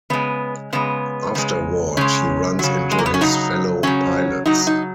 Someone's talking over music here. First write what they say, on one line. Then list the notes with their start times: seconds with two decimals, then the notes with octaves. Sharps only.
Afterward, he runs into his fellow pilots.
0.10 C#3 G#3 B3
0.73 C#3 G#3 B3
1.35 C#3 G#3
1.97 C#3 G#3 C#4
2.59 C#3 F#3
2.91 G#3
2.99 A#3
3.06 B3
3.14 C#4
3.21 C#3 F#3 D#4
3.83 C#3 F#3 C#4
4.46 C#3 F#3 D#4
4.67 D#4